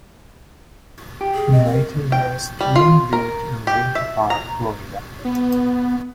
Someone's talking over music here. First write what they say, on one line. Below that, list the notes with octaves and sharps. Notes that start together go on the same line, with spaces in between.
In later years, King lived in Winter Park, Florida.
G4
G#4
C4 D#5
A#4
G5
G3
F4
A#4
G4
E5
A#5
B3